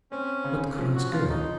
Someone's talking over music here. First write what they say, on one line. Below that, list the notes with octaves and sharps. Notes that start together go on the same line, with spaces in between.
What cross girl!
C4 C#4
C#3
F3
F#4
F3 F4
D#4